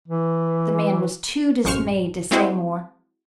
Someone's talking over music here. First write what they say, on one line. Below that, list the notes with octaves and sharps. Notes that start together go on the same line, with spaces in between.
The man was too dismayed to say more.
E3
A1 F#2 C5 C#6 F6
G#3 C4 E4 F#4 G#4 C5